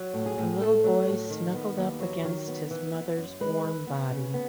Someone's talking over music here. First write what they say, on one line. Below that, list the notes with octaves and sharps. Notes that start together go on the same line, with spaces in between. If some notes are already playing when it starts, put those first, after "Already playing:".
The little boy snuggled up against his mother's warm body.
Already playing: F#3
A2
G#4
A2
A3 A4
F#3
A2
D#3
B3
D#2
F#3
D#3
B3
E3
B3
F#2
G#3 B4
E3
B3
C#3
B3